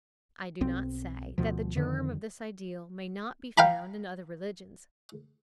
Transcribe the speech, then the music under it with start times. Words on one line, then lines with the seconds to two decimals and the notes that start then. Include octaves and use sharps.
I do not say that the germ of this ideal may not be found in other religions.
0.61 B1 C4
1.38 D2 B2 F3
1.76 F2 D3 D#3
3.58 F5 G5 A#5 B5